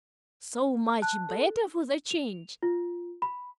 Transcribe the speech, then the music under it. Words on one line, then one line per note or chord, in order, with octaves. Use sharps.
So much better for the change!
A5 F#6
A4
F7
F4
B5